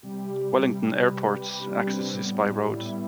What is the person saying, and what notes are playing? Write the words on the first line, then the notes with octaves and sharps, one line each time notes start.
Wellington Airport's access is by road.
C3 G3 G4
C3 G3
C3 G3 B4
G4
C3 G3 D4
C4
A2 G3 B3
A2 G3 E4